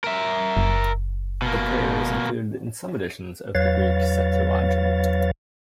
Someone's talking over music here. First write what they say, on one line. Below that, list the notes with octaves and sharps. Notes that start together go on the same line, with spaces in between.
The prayer is included in some editions of the Greek Septuagint.
A#4 E5
F#1
B2 A#3
E2 F#3 B4 C#5 F5 A6